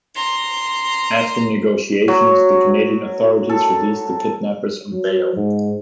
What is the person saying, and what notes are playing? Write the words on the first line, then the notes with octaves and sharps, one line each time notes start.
After negotiations, the Canadian authorities released the kidnappers on bail.
A#5 C6
F#3
A4
F#3
G#2